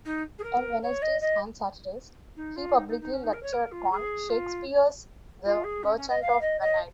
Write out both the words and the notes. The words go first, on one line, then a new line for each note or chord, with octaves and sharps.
On Wednesdays and Saturdays he publicly lectured on Shakespeare's The Merchant of Venice.
D#4
G#4
A#4
C#5
D#5
D#5
D#4
F4
D#4
D#4
D#4
C#4
D#4
A#4
C#5
A#4
F4
G#4
F4
F4
G#4
C#4
C#4
D#5
F5
D#5
D#5